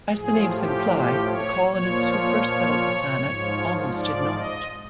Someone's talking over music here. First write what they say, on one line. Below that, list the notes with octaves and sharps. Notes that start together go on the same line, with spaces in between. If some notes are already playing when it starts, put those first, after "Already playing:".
As the names imply, the colonists who first settled the planet almost did not.
A2 F3 G#4
G4
G4
C#5
A#2 F3 C#5
G#2 F3
D5
D#5